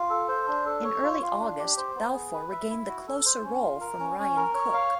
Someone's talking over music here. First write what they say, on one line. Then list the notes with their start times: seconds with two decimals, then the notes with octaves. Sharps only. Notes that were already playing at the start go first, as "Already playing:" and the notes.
In early August, Balfour regained the closer role from Ryan Cook.
Already playing: F4
0.10 A4
0.29 C5
0.48 D4
0.65 A4
0.84 C#5
1.03 F4
1.22 F4
1.40 D4
1.59 G4
1.77 C5
1.96 B3
2.14 G#4
2.33 B4
2.52 E5
2.70 E4
2.88 F#4
3.07 A4
3.26 C5
3.44 C#4
3.63 F4
3.81 A#4
4.00 C#4
4.19 C#4
4.37 A#4
4.55 C#5
4.74 F5